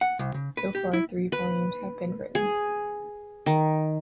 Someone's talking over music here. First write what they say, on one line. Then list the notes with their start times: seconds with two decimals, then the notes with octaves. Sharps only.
So far three volumes have been written.
0.01 F#5
0.19 C2
0.34 C#3
0.57 B4
0.75 G4
0.93 E4
1.32 B4
2.35 G#4
3.46 D#3